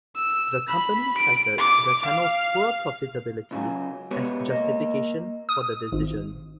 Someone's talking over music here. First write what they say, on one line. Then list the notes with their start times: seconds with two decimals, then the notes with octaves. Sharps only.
The company cited the channel's poor profitability as justification for the decision.
0.15 E6
0.68 B5
1.17 D7
1.58 D6
2.05 F5
3.51 C#2 C#3 F#3 G#5
4.11 G#3 B3 G4 B4 C#5
4.50 A#3 D#5
5.49 D#6
5.92 G#1